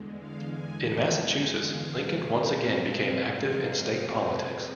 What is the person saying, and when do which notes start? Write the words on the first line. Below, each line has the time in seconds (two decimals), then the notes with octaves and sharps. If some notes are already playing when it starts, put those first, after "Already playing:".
In Massachusetts, Lincoln once again became active in state politics.
Already playing: E2 D3 G#3
0.19 F5
0.48 G#5
0.75 A5
1.17 G#5
1.60 F5
2.43 F2 C3 G#3 C4
3.28 F5
4.12 B4